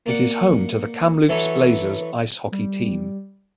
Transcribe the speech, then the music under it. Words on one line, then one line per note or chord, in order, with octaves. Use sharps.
It is home to the Kamloops Blazers Ice hockey team.
A#3 D5 F#5
E3 F#3 A4 B4 C#5
G3